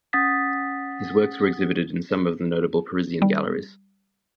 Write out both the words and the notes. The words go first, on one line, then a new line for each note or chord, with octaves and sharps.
His works were exhibited in some of the notable Parisian galleries.
C#4 F#5 D#6 A6 B6
G3